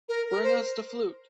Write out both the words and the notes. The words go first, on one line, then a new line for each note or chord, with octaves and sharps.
Bring us the flute!
A#4
A#4
C5